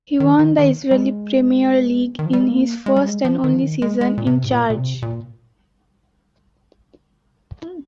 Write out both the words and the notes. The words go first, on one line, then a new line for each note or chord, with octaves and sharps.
He won the Israeli Premier League in his first and only season in charge.
D#3
D#3
D#3
G3
G#3
D#3
F3
G3
G#3
A#3
G#3
G3
G#3
F3
D#3
F3
D#3
G#3
G#3
A#2
C3
G#2
A#2
A#2
C3
A#2